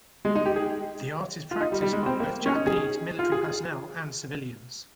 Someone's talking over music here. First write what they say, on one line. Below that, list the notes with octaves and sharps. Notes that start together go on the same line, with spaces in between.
The art is practised by both Japanese military personnel and civilians.
G#3
D#4
G4
G#4
F4
D#4
G3
G3
G#3
C4
A#3
C#4
D#4
G#4
F4
G#4